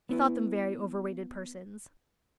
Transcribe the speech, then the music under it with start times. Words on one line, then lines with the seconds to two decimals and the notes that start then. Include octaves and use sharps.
He thought them very over-rated persons.
0.09 B3 E4 B4